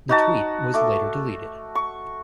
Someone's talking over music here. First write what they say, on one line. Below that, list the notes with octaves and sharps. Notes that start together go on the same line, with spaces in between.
The tweet was later deleted.
D#4 F#4 A5
A3 D6
C#6